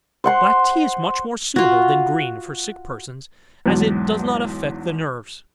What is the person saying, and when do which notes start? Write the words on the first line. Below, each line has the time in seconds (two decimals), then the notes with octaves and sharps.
Black tea is much more suitable than green for sick persons, as it does not affect the nerves.
0.24 C5 F#5 C6
1.56 F4 F#4
3.66 B1 E2 G#2 F#3